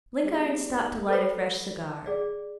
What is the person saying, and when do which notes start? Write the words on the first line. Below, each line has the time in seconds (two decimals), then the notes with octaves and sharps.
Blenkiron stopped to light a fresh cigar.
0.23 G3 B3 D#4 G4 G#4 D5
1.08 A4 B4 C5 B5
2.06 G#4 D5